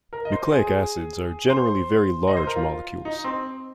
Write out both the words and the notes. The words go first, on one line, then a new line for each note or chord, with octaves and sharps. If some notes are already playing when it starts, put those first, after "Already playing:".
Nucleic acids are generally very large molecules.
A#4
D#5
C5
G#4
C5
D#5
C5
A#4
F4
D#4
C4